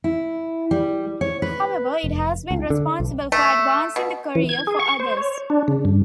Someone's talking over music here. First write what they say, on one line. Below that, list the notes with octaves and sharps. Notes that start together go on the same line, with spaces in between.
However, it has been responsible for advancing the career for others.
E4
G3
C#5
B4
F1
C#2
D3
B1
A3
B2
E3
G#6
G#4
C#6
C5
C#5
D4
C#3
G2